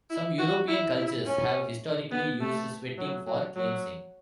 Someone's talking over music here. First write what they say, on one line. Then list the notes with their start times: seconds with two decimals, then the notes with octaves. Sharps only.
Some European cultures have historically used sweating for cleansing.
0.10 E4
0.38 F#4
0.68 E4
0.97 E4
1.26 C#4
2.11 B3
2.40 A3
2.98 F#3
3.27 F#3
3.56 F#3